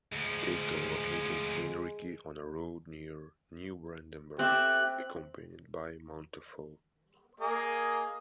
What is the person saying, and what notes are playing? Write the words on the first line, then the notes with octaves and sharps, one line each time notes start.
Keitel located Heinrici on a road near Neubrandenburg, accompanied by Manteuffel.
D2 F3 G#3
A3 C4 G4 E5 F#6
A#3 G#4 D#5